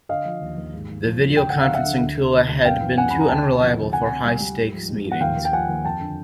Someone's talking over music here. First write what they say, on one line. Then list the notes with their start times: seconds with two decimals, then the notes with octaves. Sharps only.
The video conferencing tool had been too unreliable for high-stakes meetings.
0.09 D3 D#5 F5
0.25 F3
0.41 D#2
0.58 D#2
0.73 G#2
0.90 G#2
1.05 F3
1.21 F3
1.37 D2 G5
1.50 D3 F#5
1.62 F5
1.69 F#3
1.74 E5 F#5
1.85 D3
2.01 D2
2.17 D2
2.34 D2
2.49 D2
2.65 F#2 F5 G5
2.82 E3
2.97 F#2 F#5 G#5
3.10 C#3 B5
3.20 A#5
3.29 D2 G5 A5
3.45 C3
3.61 F3
3.78 D2
3.93 C3 F#5 G#5
4.09 C3
4.25 G3
4.40 G3
4.56 G#2
4.73 F3
4.89 G#2
5.05 F3
5.12 F#5
5.21 D#2 F5 G5
5.37 D#2
5.45 G5
5.52 F3 F#5 G#5
5.69 D#2
5.85 F2 G5 A5
6.01 D3